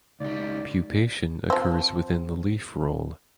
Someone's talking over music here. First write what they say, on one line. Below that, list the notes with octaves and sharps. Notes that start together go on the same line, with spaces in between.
Pupation occurs within the leaf roll.
C#2 G3 D#4 D5
F3 C4